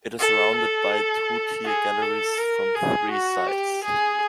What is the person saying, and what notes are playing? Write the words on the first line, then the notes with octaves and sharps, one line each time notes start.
It is surrounded by two-tier galleries from three sides.
A4
A4
G#4
A4
A#4
G#4
F#4
G4
G#4